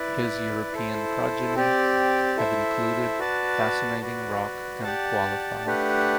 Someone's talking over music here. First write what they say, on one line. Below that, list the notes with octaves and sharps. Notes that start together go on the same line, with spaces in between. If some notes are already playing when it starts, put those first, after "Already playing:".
His European progeny have included Fascinating Rock and Qualify.
Already playing: E4 B4 D5
E4 A4 C5
C4 G4 D5
E4 A4 C5 E5
F#4 B4 D5 A5
F#4 B4 D5
G4 D5 F#5 A5
A3 D4 G4 B4 F#5